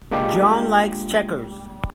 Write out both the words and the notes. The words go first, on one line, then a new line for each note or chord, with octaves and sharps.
John likes checkers.
G#3 A#3 D4 F4 G4